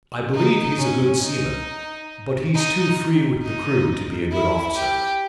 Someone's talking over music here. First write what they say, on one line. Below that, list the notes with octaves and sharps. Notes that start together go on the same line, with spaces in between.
I believe he's a good seaman, but he's too free with the crew to be a good officer.
D#4
C#4
D#4
D#4
D#4
E4
G4